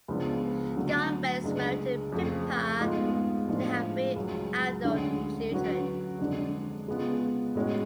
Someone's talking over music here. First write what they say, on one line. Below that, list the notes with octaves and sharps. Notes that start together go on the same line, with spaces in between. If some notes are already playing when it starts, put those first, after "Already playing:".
Gumbel is married to Pippa and they have three adult children.
C#2 C#3 F3 B3 D4
D3 F#3 A3
C#2 C#3 G#3 D4
F2 C#3 F3 A3
G#2 G#3 B3 F4
A2 F3 G#3 D4 F4
C#2 C#3 F#3
D2 D3 G#3 C#4 G#4
D3 F#3 C#4 F#4 B4
F2 D3 G#3 D4
C#3 G#3 B3 F4
A2 G#3 C#4 F#4